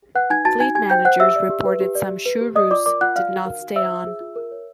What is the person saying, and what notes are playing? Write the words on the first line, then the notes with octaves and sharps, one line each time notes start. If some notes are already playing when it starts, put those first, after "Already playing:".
Fleet managers reported some Shu Roos did not stay on.
B4 F#5 F#6
D#4 G#5 G#6
F#4 A5 A6
D#4 G#5 G#6
G4 G#5 G#6
C5 G5 G6
C5 F#5 F#6
G4 E5 E6
D5
G4
B4
G4
D5
G4
B4
G4
D5 D#5 D#6
F4 D5 D6
A#4 D5 D6
F4 F#5 F#6
D5 F5 F6
F#4
A#4
F#4
C5 E5 E6
F4
G#4
F4
A#4
C#5